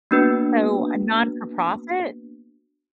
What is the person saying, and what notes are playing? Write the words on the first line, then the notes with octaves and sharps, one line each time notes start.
So a non-for-profit?
A#3 B3 D4 F#4 B4